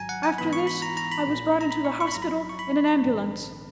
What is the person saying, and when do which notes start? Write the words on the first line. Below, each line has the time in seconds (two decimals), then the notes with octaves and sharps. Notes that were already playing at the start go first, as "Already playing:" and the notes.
After this I was brought into the hospital in an ambulance.
Already playing: G#1 G#2 F#3 G#5 A#5
0.09 F#5
0.23 G#5
0.38 G#2 E3 B3 B5
0.53 C#6
0.67 B5
0.82 A#5
0.97 A#5
1.12 B5
1.26 A#1 A#2 A#3
1.61 A#5
1.71 B5
1.85 C#6
2.00 C#6
2.07 B5
2.14 A#1 G#2 F#3 A#5
2.22 B5
2.49 C#6
2.59 B5
3.02 A#1 G#2 D#3